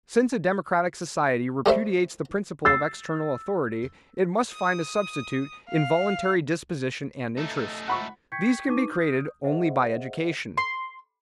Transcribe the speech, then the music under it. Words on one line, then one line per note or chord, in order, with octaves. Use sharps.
Since a democratic society repudiates the principle of external authority, it must find a substitute in voluntary disposition and interest; these can be created only by education.
G3 A3 C5 E5
E6 A6 C7
D#6
F5
A3 D#4
F#5 B5 C#6
G5 C#6 G6 G#6 B6 C#7
D4 D#4 B4 C#6 D6 D#7
D#6 F6 G6
G#4 C5 D#5 E5 F#5
C6